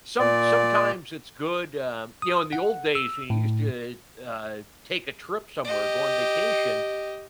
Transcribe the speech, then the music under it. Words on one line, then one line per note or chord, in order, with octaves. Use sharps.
some sometimes it's good, um you know, in the old days, when you used to, uh uh, take a trip somewhere, go on vacation,
A#2 D5
D#6
F#5
E6
A2
G4 D#5